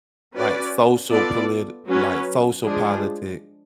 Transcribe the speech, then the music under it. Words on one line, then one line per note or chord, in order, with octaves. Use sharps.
like social politi like, social politics
C#4 F#4 B4 D5
B3 F4 A4 D5
F#3 C#4 F#4 B4
F3 G#3 D4 G#4